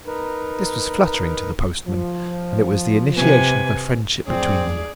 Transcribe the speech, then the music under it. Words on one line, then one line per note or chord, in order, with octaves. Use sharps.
This was flattering to the postman, and it was the initiation of a friendship between them.
D#4 A#4 B4
F3
C3 B4 G#5
F#2 A2 F3 C4 G#4 D5